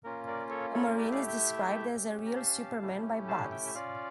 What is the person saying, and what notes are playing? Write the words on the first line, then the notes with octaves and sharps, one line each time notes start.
A Marine is described as "a real superman" by Bugs.
A#3 C#4 F4 A#4
A#4 D5
A4 C#5
A4 C#5
A3 E4 G4 A#4 D5
D5 F5
E5 G5
C#4 G4
A#5
F5 A5
A3 C#4 E4 G4
F5 A5
E5 G5
E5
C#4 F4 D5 F5